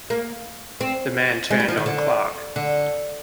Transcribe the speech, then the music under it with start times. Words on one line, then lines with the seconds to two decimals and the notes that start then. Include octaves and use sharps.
The man turned on Clark.
0.10 A#3
0.81 C4
1.50 G#3
1.60 G3
1.68 F3
1.77 D#3
1.86 D3
2.56 D3